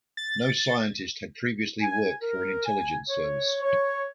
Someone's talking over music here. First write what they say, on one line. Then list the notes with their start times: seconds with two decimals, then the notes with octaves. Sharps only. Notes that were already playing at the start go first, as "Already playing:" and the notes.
No scientist had previously worked for an intelligence service.
0.17 A6
1.82 G#5
2.21 A#4
2.66 G#5
3.09 C#5
3.63 C#5